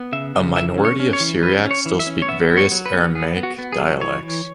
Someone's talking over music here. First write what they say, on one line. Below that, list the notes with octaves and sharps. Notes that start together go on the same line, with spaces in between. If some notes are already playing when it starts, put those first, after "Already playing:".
A minority of Syriacs still speak various Aramaic dialects.
Already playing: B3
C#3 E5
C#3
E3 E5
C#4
C#5
C#4
C#5
E3
C#4 B4
C#4
C#5
E3
E5
C#4
C#5
B3 E5
B3
C#5
F#3
B4
B3
B3 G#4
B3
F#4
B3
G#4
F#3
E3 C#5
E3